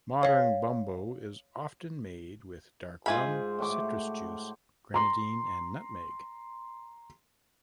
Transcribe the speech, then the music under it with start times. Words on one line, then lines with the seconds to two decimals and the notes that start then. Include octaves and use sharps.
Modern bumbo is often made with dark rum, citrus juice, Grenadine, and nutmeg.
0.23 C#5 F5
3.06 G#2 F4 G#4 C5 B5
3.59 A2 F#4 D6
4.94 A#5 C6